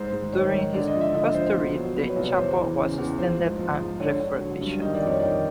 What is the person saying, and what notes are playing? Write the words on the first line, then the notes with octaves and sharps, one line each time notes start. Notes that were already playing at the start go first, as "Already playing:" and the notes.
During his pastorate the chapel was extended and refurbished.
Already playing: G#2 C5
G#2
D#3 C#5
G#2
D3 D5
D#5
F3
E5
D3 D#5
F3 C5
B2
F#3
B2 B4
C#5
C2
C#5
E2 C5
E3
C#3
E2
F3 C5
G#2
F3
G#2
D3 C#5
D3
F#3
G2
D#3 D#5
D5
F2
C#5
D#3 D5